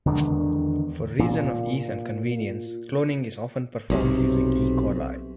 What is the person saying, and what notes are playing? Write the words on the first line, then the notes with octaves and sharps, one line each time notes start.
For reason of ease and convenience, cloning is often performed using "E. coli".
E2 D3 D#3 G#3
A#2
B1 C3